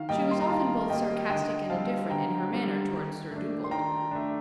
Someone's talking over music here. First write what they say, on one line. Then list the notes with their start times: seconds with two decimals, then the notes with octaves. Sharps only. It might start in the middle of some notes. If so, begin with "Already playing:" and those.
She was often both sarcastic and indifferent in her manner toward Sir Dugald.
Already playing: D#3 F5
0.09 G3 A#3 D#5 G5
0.31 C6
0.41 A#5
0.49 D#3 F5 A5
0.89 G3 A#3 D#5 G5
1.29 D3 D#5 G5
1.70 G3 C4 F5 A5
2.10 D3 G5 A#5
2.51 G3 C4
2.91 D#3
3.31 A3 D4
3.64 C6
3.71 D#3 G5 A#5
4.11 A3 D4